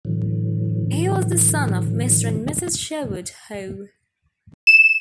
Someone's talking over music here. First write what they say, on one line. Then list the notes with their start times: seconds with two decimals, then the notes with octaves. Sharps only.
He was the son of Mr. and Mrs. Sherwood Hough.
0.05 A2 D3 E3 F#3
4.67 E7